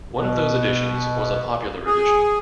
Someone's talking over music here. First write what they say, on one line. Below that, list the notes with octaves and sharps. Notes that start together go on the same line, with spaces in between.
One of those editions was a Popular edition.
B2
G#4